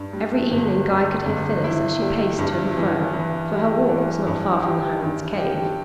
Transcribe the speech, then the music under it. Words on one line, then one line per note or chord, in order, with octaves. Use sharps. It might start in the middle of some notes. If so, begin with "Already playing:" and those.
Every evening Guy could hear Phyllis as she paced to and fro, for her walk was not far from the hermit's cave.
Already playing: G2
G3
G1
G1
G1
E4
G3
G2
E3
E3
G4
E3
G2
G4
G2
G4